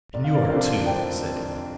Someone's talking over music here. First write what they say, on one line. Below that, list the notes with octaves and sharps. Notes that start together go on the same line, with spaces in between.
"And you are, too," said he.
F1 D5
F5
A#4 D5
F2 D3 F3 D4 C5 F5
F1 D5 G5